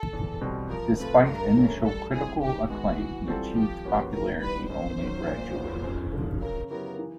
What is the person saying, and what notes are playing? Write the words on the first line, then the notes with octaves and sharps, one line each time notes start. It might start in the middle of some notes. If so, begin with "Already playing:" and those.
Despite initial critical acclaim, he achieved popularity only gradually.
Already playing: A4
E2
B2 G3 C4
F3 A#4
A3 C4 F4 A4 B4
G2 A#4
E3 A3 C#4 E4
G3 A4
C4 E4 G#4
D#3 G4
G#3 B3 F#4
E3
G3 C4 F4 A4
F3 G4
A#3 C#4 F#4 B4
D#3 A#4
G3 B3 E4 B4
F#2 C5
D#3 F#3
A#2
F#3 B3
F#2
D3 F3
C#3 A#4
F#3 B3 E4 G4 A#4
E3